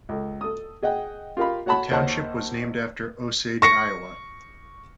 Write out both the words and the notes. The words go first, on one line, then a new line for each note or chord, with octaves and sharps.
The township was named after Osage, Iowa.
C#2 A4
A4 D#6
G#4 D#5 F#5 G5
F4 G4 A#4 F5 B5
F#4 C#5 F#5 A5 B5
D#2 C5 C#5 F#5 A5
C#6 A#6 C#7